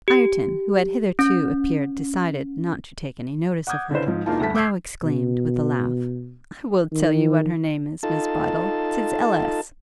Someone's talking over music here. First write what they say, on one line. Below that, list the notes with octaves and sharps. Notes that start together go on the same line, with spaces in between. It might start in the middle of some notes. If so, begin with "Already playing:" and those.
Ireton, who had hitherto appeared decided not to take any notice of her, now exclaimed, with a laugh, 'I will tell you what her name is, Miss Bydel; 'tis L.S.'
G4
C#4
F#5 D6 D#6 G6 G#6
D3 C#4 E4 B4 C5
G#2 F3
E1 E3 A#3 D#4 F4 A5
D2 G2 A3 A5 B6
D6 E6 G6 G#6 C7
B2
D#3
D#4 F4 A4 A5